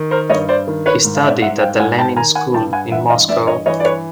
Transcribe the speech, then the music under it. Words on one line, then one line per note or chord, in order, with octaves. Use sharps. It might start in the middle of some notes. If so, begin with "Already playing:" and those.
He studied at the Lenin School in Moscow.
Already playing: D#3
A#4 C5
G2 C#5 D#5
C5 D5
D#3
B4 C#5
G#2
F5
D5 E5
G#2 E5 F#5
F5 G5
G#2 F#5 G#5
G5 A5
D#3 G#5 A#5
F#5 G#5
G2 G5 A5
F#5 G#5
E3 E5 F#5
D#5 F5
G2 D5 E5
C#5 D#5
E3 C#5 D#5
D5
B4 C#5